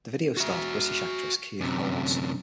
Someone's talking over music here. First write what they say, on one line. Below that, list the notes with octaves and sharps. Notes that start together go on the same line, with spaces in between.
The video stars British actress Keeley Hawes.
F#4 E5
F#2 C3